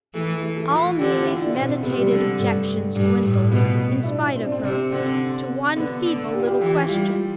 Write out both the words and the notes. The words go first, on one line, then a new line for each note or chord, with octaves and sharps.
All Neelie's meditated objections dwindled, in spite of her, to one feeble little question.
E3 A3
A3
A3
E3 F4
D3 G4
F4
E4
D4
B2 C4
C3 B3
G3
D3
G2 A3
G2
A2
B2 B3
E4
D4
C4
D4
C4
C3 C4
D3 C4
D3 B3
D3
G4
F4
G4
E3 G4
G4
G3 F4